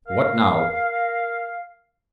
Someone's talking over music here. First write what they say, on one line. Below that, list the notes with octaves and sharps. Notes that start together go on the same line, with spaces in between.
"What now?"
A#4 F5